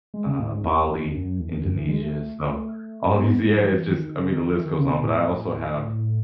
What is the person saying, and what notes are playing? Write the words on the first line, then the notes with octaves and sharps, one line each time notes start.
um, Bali, Indonesia. So, all these yeah, it's just I mean, the list goes on. But I also have
G#3
C#3
A2
G#2
E2
E2
F#2
E2
F#2
E3
G#3
A3
B3
B3
G#3
F#3
E3
D#3
C#3
D#3
E3
D#3
C#3
B2
A2